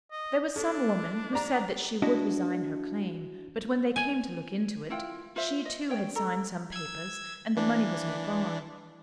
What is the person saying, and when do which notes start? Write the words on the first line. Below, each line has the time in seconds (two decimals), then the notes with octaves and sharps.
There was some woman who said that she would resign her claim; but when they came to look into it, she too had signed some papers and the money was all gone.
0.12 D#5
0.56 D4 A4
1.33 D5 A#5
2.02 D4 E4 F#4 D#5
3.96 G#5
4.90 E4 F4 G5
5.36 F4 C5 E5
5.65 D#5
5.89 C#5 G5
6.15 A4 A#5
6.72 E6 G#6
7.57 E3 D4